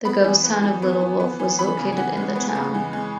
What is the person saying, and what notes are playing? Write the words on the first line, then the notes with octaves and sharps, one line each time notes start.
The ghost town of Little Wolf was located in the town.
B3 B5
E3
B3
E3
B3
E3
B3
E3
B3 B5
C#3
G#5
E3 F#5
G#3
B3
C#3
E3
G#3